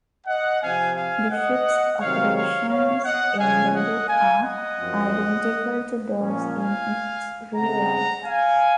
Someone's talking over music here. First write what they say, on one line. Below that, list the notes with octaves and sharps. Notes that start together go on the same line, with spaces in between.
The ship's operations in the book are identical to those in its real life.
D#5 F#5
C3 F3 C4 F5 G#5
F5 G#5
D#5 F#5
C3 D#3 F#3 C4 C#5 F5
C#5 F5
C#5 F5
D#5 F#5
C#3 F3 G#3 C#4 F5 G#5
D#5 F#5
F5 G#5
D#5 F#5
F#2 F3 C4
A#2 F3 A#3 C#4
F5 G#5
C#3 G#3 C4 F#5 A#5
F5 G#5